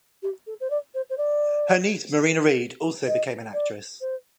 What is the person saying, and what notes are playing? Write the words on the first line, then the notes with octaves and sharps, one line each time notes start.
Her niece Marina Ried also became an actress.
G4
A4
C5
D5
C5
C5
D5
D#5
D5
C5